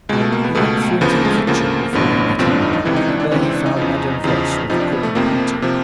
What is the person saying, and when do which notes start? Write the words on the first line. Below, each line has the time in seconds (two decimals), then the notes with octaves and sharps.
He went through into the kitchen before he met any one, and there he found Madame Voss with the cook and Peter.
0.09 C#2 B2 G#3
0.21 A3
0.32 A#3
0.44 B3
0.55 C#2 B2 A3
1.01 D2 C#3 F3 B3
1.13 A#3
1.25 G#3
1.36 A3
1.47 D2 C#3 F3 A#3
1.93 A1 G2 D3 F3 B3
2.39 A1 G2 D3 F3 C4
2.51 D4
2.62 D#4
2.73 D#4
2.85 C#2 C3 E3 E4
2.96 D#4
3.09 D4
3.20 D4
3.31 C#2 C3 E3 C#4
3.43 C4
3.54 D4
3.66 D#4
3.77 E2 C#3 F3
4.24 E2 C#3 F3
4.70 F2 C3 F3 D#4
4.80 D4
4.92 B3
5.03 A3
5.15 F2 C3 F3 A#3
5.62 C3 F3